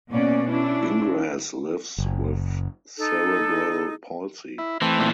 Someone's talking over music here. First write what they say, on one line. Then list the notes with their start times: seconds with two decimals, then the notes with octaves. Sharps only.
Gingras lives with cerebral palsy.
0.11 B2 A#3 C#4 D5
0.50 C#4 D4 E4
1.98 F#1
2.97 D#4 A4
4.58 E4
4.81 E3 A3 C4
4.99 A#2 E3